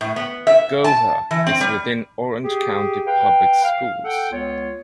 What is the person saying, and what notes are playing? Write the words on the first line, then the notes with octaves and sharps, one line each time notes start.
Gotha is within Orange County Public Schools.
A2
B3
E5
A5
E3
C4
G3
G4 G#4
B4 F5 G5
F5
A4 F#5 G5
C#2 B3 F4 C#5